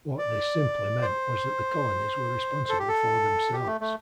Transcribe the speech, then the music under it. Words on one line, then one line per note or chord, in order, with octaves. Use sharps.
What this simply meant was that the colonies were responsible for themselves.
D5
C5
A4
G4
A4
G4
A3
A3